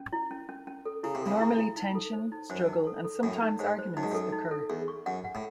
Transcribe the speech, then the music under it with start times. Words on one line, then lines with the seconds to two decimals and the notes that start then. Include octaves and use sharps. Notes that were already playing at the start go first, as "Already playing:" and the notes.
Normally tension, struggle and sometimes arguments occur.
Already playing: C#4
0.13 E4
0.31 C#4
0.49 C#4
0.67 C#4
0.85 A4
1.03 C#3 E4
1.15 C3
1.22 A2 C#3 A4
1.41 E4
1.58 E4
1.77 D#4
1.95 A4
2.13 C5
2.32 D#4
2.50 F#2 C5
2.68 D#4
2.87 A4
3.05 A4
3.23 F#2 A2 A4
3.42 D#4
3.59 G#2 C5
3.79 C5
3.96 F#2 D#4
4.03 G#2
4.12 F#2 A4
4.32 D#4
4.51 A4
4.69 E2 G#4
4.88 C#6
5.06 F#2 F#5
5.24 F#5
5.35 A2